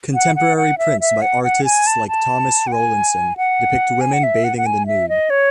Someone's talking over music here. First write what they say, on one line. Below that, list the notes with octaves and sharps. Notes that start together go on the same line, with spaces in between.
Contemporary prints by artists like Thomas Rowlandson depict women bathing in the nude.
F#5
F#5
F#5
E5
E5
F#5
F#5
G#5
A5
A5
F#5
G#5
F#5
G#5
F#5
E5
F#5
F#5
G#5
E5
D#5
C#5